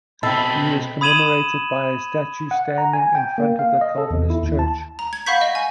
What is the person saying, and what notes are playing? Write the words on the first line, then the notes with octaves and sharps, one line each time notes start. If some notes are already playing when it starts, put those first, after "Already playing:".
He is commemorated by a statue standing in front of the Calvinist church.
B2 C4 A4 D#5 G5 B5
B5 D#6 G#6 D#7 E7 F#7
F#5
A#5
G#5
G5
A#3
F5
D#5
A4
E2
E4
D#2
A5
A#5
G#6
F5 F#5 B5 C#6 G6 B6
D#5
G#5